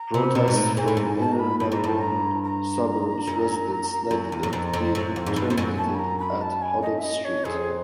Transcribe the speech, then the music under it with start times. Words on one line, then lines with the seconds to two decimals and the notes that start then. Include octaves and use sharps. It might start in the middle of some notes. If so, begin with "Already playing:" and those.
Protests from inner Melbourne suburbs residents led it being terminated at Hoddle Street.
Already playing: A#5
0.14 C3
0.24 B5
0.35 B2 A#5
0.48 G#2
0.56 A2
0.77 G#2 G#5
0.88 A2
0.97 G#2 A#5
1.09 G#5
1.19 A5
1.32 A#5
1.39 B5
1.60 G2 B5
1.72 G#2 A#5
1.84 G2 A5
1.99 A#5
2.44 A#5
3.27 F#2
4.11 F#2
4.32 E2
4.43 F#2
4.53 F2
4.73 F2
4.95 F#2
5.16 F2
5.26 G#2
5.36 G2
5.50 F2
5.58 F#2
5.77 A5
5.94 B5
5.99 A#5
6.19 B5
6.41 A5
6.62 G#5
6.82 D#5
6.99 E5
7.04 D#5
7.25 C#5
7.45 F2 G#4